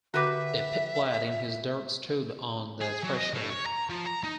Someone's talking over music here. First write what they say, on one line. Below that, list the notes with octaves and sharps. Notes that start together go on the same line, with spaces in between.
A pit-lad in his dirt stood on the threshold.
D3 F#4 G4 B4 E5 D6
G#4
F#3
D#5
A2
C#5
A#5
F3
A#5
D#4